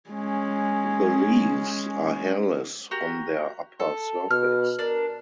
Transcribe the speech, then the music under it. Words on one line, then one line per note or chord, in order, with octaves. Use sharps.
The leaves are hairless on their upper surface.
G#3 C#4
F#4 G4 A#4
A4
B2 F6
D4 A#4